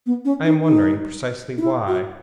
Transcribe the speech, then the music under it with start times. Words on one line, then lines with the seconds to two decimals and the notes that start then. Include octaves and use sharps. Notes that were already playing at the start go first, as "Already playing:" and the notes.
"I am wondering precisely why."
0.06 B3
0.25 C#4
0.45 D#4
0.64 D#4
1.58 D#4
1.61 E4
1.88 F#4